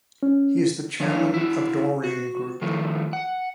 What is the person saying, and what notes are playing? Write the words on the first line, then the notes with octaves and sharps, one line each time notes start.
He is the Chairman of Doreen Group.
C#4
E2 F3 D4 C#5 F5
E4 F#4
F#4
A2 D#3 F3 A3 F4
F#5